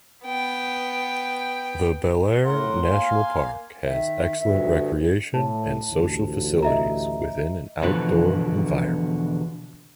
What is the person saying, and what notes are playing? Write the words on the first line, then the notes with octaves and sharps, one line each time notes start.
The Belair National Park has excellent recreation and social facilities within an outdoor environment.
B3 G5
A2 A#4 F#5 C6
A#3 F5 G#5
D#3 E5
D2 G2 E5
A2 A5
A1 D2
D#5 E5 A#5
E2 B2 D3 F3 F#3 B4